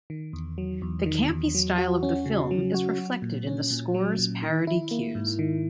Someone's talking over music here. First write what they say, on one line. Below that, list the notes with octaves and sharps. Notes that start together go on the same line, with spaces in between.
The campy style of the film is reflected in the score's parody cues.
D#3
E2
F#3
E2
D#3
E2
F#3
F#4
C#4
C#3
F#3
F#4
F#3
A#2
C#4
A#2
F#3
A#2
D#3
E4
A#3
G#2
D#3